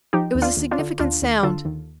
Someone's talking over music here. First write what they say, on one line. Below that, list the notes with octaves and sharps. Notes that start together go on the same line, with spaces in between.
It was a significant sound.
F3 D#4 G4
D#2
D4 F4
D#2
D4 F4
D3
D#2 D4 F4
D#2
D3 F4 A4
D#2